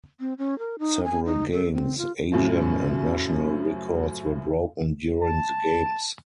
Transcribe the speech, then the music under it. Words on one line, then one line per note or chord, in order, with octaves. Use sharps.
Several Games, Asian and National records were broken during the games.
C4
C#4
A#4
D#4
G#5
D#4
A4
C4
F4
F#2 A2 C#3 F3
A5